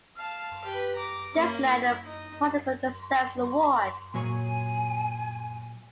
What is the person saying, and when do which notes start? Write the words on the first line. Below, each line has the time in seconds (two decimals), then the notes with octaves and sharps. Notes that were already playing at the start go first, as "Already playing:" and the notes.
This man in particular deserves an award.
0.17 F5 A5
0.65 G4 B4
0.96 A#5 D6
1.33 A#3 C#4
1.66 E4
2.05 D#4
4.14 A#2 F#3 C#5 G#5